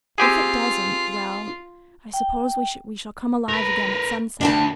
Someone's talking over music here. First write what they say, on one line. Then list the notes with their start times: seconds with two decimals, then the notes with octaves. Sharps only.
If it doesn't - well, I suppose we shall come alive again at sunset.
0.18 C4 F4 G4 G#4
2.13 G5
3.49 A#4 B4
4.41 D2 D4 G5 A5